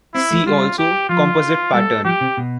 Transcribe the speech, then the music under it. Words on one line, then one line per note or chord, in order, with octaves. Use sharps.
See also Composite pattern.
C4 E4
A3
G3 F4
G4
F3 F4
G3 A4
F3 G4
C3
B2